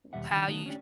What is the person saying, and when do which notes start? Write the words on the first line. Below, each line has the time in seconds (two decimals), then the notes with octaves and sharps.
W how you
0.13 D#2 B2 G3 E5 F#5
0.31 D3 D#3
0.48 D#3 A3 B3 D#4
0.66 C#4 D4 G4